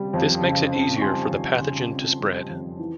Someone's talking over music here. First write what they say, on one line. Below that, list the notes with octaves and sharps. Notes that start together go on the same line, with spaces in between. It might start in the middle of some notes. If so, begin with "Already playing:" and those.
This makes it easier for the pathogen to spread.
Already playing: C#3 G3 C4
F2
C#3
C4
C#6
G3 G#5 C6
F2
C#3
C4
G3
F2
E3